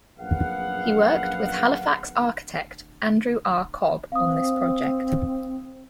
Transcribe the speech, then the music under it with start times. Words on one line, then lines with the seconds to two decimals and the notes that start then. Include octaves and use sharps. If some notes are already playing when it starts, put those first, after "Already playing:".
He worked with Halifax architect Andrew R. Cobb on this project.
0.19 A#1 F#2 B3 G#4 F5 F#5
4.12 C4 F5 D#6